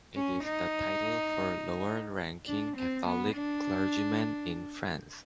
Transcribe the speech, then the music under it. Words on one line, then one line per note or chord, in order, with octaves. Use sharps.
It is the title for lower-ranking Catholic clergymen in France.
C#4
D#4
D4
C4
B3
D4